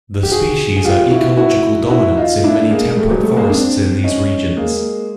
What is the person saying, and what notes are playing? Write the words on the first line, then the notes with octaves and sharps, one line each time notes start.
The species are ecological dominants in many temperate forests in these regions.
G4
F#4 G#4
G#4
F4 G4
E4 F#4
E4 F#4
E4 F#4
D#4 F4
D4 E4
G#3 A#3
G3 A3
F#3 G#3
G3 A3
G#3 A#3
C4 D4
C#4 D#4
G#3 A#3